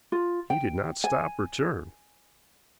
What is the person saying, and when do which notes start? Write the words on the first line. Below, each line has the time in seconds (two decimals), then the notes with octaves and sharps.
He did not stop or turn.
0.12 F4
0.50 G5
1.04 G#5